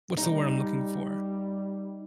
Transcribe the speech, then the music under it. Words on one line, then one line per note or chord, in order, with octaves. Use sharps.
what's the word I'm looking for?
G3 D#4